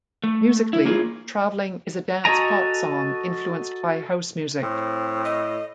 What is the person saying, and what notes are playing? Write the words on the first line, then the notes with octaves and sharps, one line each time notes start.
Musically, "Traveling" is a dance-pop song, influenced by house music.
A3
E4
A#3 F4 G#4
F#4 A4 D#5 G#5 A#5
A2 C4
D#5